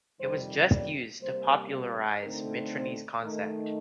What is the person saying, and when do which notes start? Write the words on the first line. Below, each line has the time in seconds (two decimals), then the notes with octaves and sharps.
It was just used to popularize Mitrany's concept.
0.20 F2 C3 D#3 G3 C5
0.71 D5
1.21 C3 G3 A#3 C5
2.22 D3 A3 C4 D#4 A#4
2.73 C5
3.24 D#3 A3 D#4 A#4